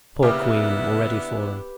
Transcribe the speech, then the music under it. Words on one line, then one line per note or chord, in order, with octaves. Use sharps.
Poor queen, already fallen!
C#3 A#3 B3 D4 E4 G4 B4 E5